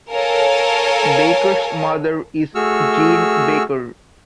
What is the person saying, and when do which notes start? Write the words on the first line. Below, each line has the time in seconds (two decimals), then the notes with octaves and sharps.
Baker's mother is Jean Baker.
0.13 A4 A#4 C#5 F5 G#5 A5
2.55 A3 F#4 G#4 C#6 E6 F6